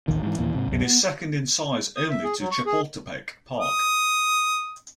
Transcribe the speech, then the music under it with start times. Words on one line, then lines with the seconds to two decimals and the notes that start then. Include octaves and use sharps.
It is second in size only to Chapultepec Park.
0.08 A1 D#2 D#3
0.22 G#2 E3
0.39 D#2 A#2 E3
0.55 G#2 C3
0.68 C2 F#2
0.82 B3
1.97 D#6
2.10 E5
2.24 G#4
2.40 F#3
2.52 C#6
2.66 G#4
3.60 D#6